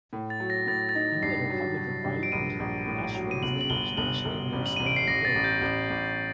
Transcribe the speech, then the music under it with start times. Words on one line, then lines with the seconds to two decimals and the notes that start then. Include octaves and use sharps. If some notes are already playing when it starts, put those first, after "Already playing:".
In the Republic of Ireland, Ash Wednesday is National No Smoking Day.
0.13 A2
0.30 A6
0.40 F#3
0.50 A#6
0.67 A2 A6
0.89 A6
0.95 D#4 A#6
1.22 G2 C7
1.50 F#3
1.77 F#3
2.04 G2
2.23 D7
2.32 A#1 D#7
2.60 A#1
2.87 A2
3.15 F#3
3.31 D#7
3.43 G1 F#7
3.61 F#7
3.70 G1 G7
3.97 G1 F#7
4.25 G1
4.53 A1
4.66 F#7
4.77 A1 D#7
4.86 D7
4.96 C7
5.08 A1 A#6
5.25 A6
5.35 A1
5.44 G6
5.61 A1
5.90 A1